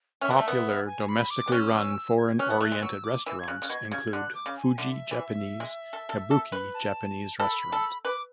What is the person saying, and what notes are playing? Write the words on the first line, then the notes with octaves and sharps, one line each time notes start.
Popular domestically run foreign oriented restaurants include Fuji Japanese, Kabuki Japanese Restaurant.
C#4 E5
B3
A3
B3
G#5
B5
D6
B3
C#4 F#6
E6
D6
E6
G#6
C#4 F#6
B3
A3 F#6
G#3
F#3 E6
D6
E3 E6
G#6
C#3 F#6
C#3
B2 G#6
C#3 G#6
D3 F#6
D6
C#3
G#5
D3 E5
E3
G#3
A4
A4
A4
B4
A5
A4 B5
A4
B4 D6